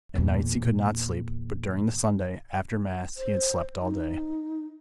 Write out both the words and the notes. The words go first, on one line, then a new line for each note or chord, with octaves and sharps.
At nights he could not sleep, but during the Sunday, after Mass, he had slept all day.
E2 A#2
C5
D#4